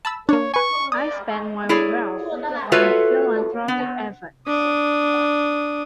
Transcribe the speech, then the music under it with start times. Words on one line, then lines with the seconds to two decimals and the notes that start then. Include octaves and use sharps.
I spend my wealth on philanthropic efforts.
0.05 A5 B5 E6
0.29 A#3 D4 C#5
0.54 B4 G#5 C#6
0.92 D5 D#6
1.69 E4 G#4 C#5 D5
2.72 F4 F#4 A4 B4 C#5 E5
3.68 B3
4.47 D4 D#6